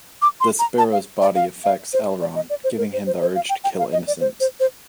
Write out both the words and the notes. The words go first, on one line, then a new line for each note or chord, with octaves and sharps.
Despero's body affects L-Ron, giving him the urge to kill innocents.
D6
C6
A#5
A5
F5
D5
F5
F5
C5
D5
D#5
D5
C5
A#4
C5
C5
C5
F5
G5
G5
F5
D#5
D5
C5
C5
C5